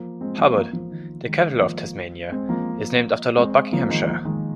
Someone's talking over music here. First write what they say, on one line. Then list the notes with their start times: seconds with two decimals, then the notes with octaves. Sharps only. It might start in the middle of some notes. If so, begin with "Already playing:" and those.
Hobart, the capital of Tasmania, is named after Lord Buckinghamshire.
Already playing: F3 A#3
0.21 G#3 C4
0.38 F3 A#3
0.56 F3 A#3
0.73 F3 A#3
0.91 D#3
1.26 D#3 G#3
1.61 F3 A#3
2.32 G#3 C4
2.49 F3 A#3
3.37 G#3 C4
3.72 F3 A#3
3.90 D#3 G#3
4.08 F3 A#3
4.25 D#3 G#3